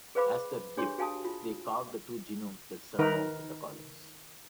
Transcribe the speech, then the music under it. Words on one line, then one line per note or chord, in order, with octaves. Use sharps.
As their gift, they carved the two gnomes that surmount the columns.
G#4 B4 C5 F5 B5 D6
D4 G4 G#4 C#5 C6
F#4 G#4 F5 G#5 A5 D#6
F4
D#3 D#4 A#4 B4